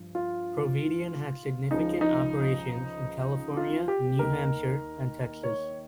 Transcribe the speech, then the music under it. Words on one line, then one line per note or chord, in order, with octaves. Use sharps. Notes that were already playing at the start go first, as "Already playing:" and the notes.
Providian had significant operations in California, New Hampshire, and Texas.
Already playing: G2 F3
F4
C#2 C#3 F3 D#4
D#4
F4
G4
D#2 D#3 A#4
C#5